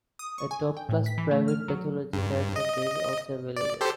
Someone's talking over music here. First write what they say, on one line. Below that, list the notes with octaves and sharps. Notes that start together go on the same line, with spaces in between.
A top class private pathology care center is also available.
D#6
C#6
G#5
G5
A2
B6
E3
A3
F6
F#3
G2
D#5
D5
G4 A4 C5